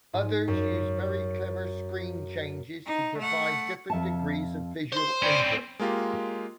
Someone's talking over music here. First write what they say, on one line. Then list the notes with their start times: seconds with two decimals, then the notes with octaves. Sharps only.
Others used very clever screen changes to provide different degrees of visual input.
0.13 G#2
0.48 F#2
2.86 D#4
3.18 A3 F#5
3.90 F2 E5 A5
4.92 C5 C6
5.22 C4 C#4 D5 G5 B5
5.79 G#3 A#3 F4 G4